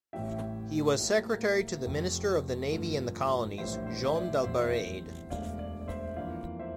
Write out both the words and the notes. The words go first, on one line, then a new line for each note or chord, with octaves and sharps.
He was secretary to the Minister of the Navy and the Colonies, Jean Dalbarade.
A1 A2 E3 G3 E5 G5
A2 G3 A#3
F1 F2 C3
G1 G2 D3 F3 A3
A#1 A2 E3 G3 C5 E5
C5
E5
D5
F1 E2 E3 G3 C5 E5
E1 D2 D3 D5 F5
D5
D5
C5 E5
F2 E3 A#3 D4 F4 D5 F5
C5 E5